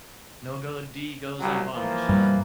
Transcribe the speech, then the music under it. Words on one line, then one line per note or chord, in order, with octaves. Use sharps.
No go deed goes unpunished, huh?
C2 F#3 G3
E3 F3 A#3
G2 G3